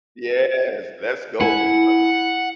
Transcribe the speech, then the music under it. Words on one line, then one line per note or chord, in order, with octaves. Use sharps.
Yes. Let's go. You hu
E4 F#5 G#5